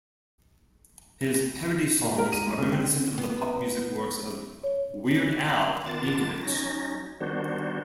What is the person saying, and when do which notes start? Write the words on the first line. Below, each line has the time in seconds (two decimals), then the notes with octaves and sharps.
His parody songs are reminiscent of the pop music works of "Weird Al" Yankovic.
2.04 A#2
2.18 A#4
2.32 D#7
2.46 G#3
2.58 C#3
2.72 C4
3.18 B3
4.64 C#5
5.86 D#3 B3 F4 A5 D6 A6
6.43 F#3 C#4 D#4 A#6
7.20 D#3 G3 B3 D4 F#4 C5